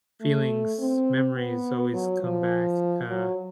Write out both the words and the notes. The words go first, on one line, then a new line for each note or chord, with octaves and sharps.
feelings, memories always come back, uh,
A3
C4
B3
F#3
F3
F#3